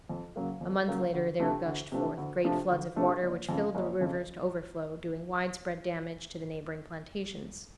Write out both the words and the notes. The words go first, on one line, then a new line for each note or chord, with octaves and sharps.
A month later there gushed forth great floods of water, which filled the rivers to overflow, doing widespread damage to the neighboring plantations.
F2
C#3 F#3 A#3
F2
C#3 F#3 A#3
D2
C3 F3 A3 D4
D2
C3 F3 A3 D4
D2
C3 F3 A3 D4
D2
C3 F3 A3 D4
F#1
F2 C#3
F#1
F2 C#3